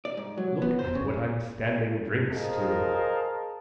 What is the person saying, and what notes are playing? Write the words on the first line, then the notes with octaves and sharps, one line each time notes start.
Look at what I'm standing drinks to!
D5
G#2
F#3
B3
C5
C#3
G#4 A#4 C5 D#5 F5 A5